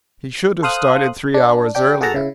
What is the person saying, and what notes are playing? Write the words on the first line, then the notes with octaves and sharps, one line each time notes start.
He should have started three hours earlier.
A4 C5 F5 D#6 F#6
D4
D4 G4 G5
F#4 G#4 A4 F#5 A5 A#5
C#3 E4